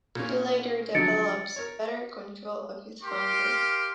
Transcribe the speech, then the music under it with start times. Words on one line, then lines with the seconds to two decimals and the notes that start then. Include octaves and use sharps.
He later develops better control of his "hunger".
0.15 A#2 C#4
0.95 D3 F3 F#3 A6 C#7 D7
1.56 A#4 C#5
3.03 G4 A#4 F5 C6 D6